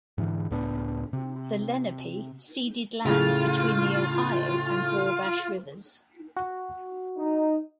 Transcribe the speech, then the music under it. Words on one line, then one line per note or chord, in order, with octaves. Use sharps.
The Lenape ceded lands between the Ohio and Wabash rivers.
G#2 D3 E3
C#2 A2 B3 D4
C3
A2 C#3 F4
F#4
D#4